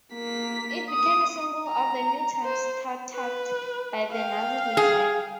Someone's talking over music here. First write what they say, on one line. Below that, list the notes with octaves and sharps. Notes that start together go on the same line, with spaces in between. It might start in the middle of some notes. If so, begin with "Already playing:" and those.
It became a symbol of the new times touted by the Nazi regime.
A#3 B6
D#6
A#5
C5
B4
F5 G5
G#4